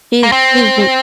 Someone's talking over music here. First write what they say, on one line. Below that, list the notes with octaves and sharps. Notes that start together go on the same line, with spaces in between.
She's she's n
A#3
C4